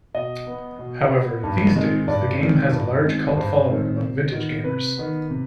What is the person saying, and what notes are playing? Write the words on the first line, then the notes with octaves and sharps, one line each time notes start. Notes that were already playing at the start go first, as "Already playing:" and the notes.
However, these days the game has a large cult following among vintage gamers.
B2 D#5
B3
B2
B3
G2
D#3 G#3 C4
G2 D5
D#3 G#3 C4
G2
D#3 G#3 C4
G2 C5
D#3 G#3 C4
C3
D#3 B3
C3 B4
D#3 B3
C3